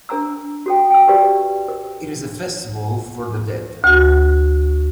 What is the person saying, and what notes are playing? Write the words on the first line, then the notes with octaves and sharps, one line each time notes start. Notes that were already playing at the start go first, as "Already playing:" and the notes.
It is a festival for the dead.
D4 A#4 G#5 A#5 E6
F#4 A4 G5
G5 E6
F#4 G4 A#4 B4 D5
A#4
D2 F#4